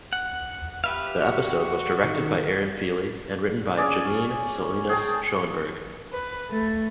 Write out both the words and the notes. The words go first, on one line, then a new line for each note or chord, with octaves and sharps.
The episode was directed by Erin Feeley and written by Janine Salinas Schoenberg.
F#5
G4 B4 E5 F5
F#4
D#3
C#4 G#4 D5
G#4 G5 A5
B4
A3